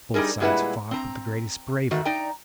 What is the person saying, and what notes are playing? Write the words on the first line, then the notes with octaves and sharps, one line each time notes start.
Both sides fought with the greatest bravery.
G3 B3 D#4 G#4 A#4
A#2 G3 G#3 E4 B4 F#5
C4 A#5
G#2 D#3 A3 F#4
D#4 D5 G5 A#5